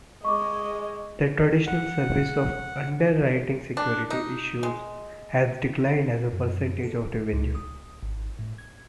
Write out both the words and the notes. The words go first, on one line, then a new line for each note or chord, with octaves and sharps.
The traditional service of underwriting security issues has declined as a percentage of revenue.
G#3 D#5 C#6 D6
F#5
D4
D#4
G#3
F#2
A4
C#2
D#6
G#1
A2
G#6